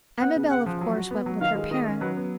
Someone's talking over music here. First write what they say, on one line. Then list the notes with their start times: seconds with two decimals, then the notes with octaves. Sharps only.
Amabel, of course, went with her parents.
0.20 B3 F#5
0.36 C#3
0.50 C#3 F#5
0.66 F3
0.81 F#3
0.96 F#4
1.11 B3
1.26 F#3
1.41 D#3 F5
1.56 G#3
1.71 D#3 D#5
1.87 C#4
2.01 F#3 B4
2.17 B3